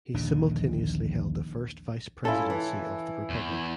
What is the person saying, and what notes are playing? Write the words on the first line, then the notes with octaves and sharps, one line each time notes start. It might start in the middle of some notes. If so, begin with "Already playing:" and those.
He simultaneously held the first vice presidency of the Republic.
A#1 D#2 D3 D4
C#4 E4 F4 A4 G#5
E3
E2